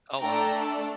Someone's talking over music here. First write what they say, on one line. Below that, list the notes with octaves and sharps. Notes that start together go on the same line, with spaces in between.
Oh, wow.
A3 D4 A4 G5 A#5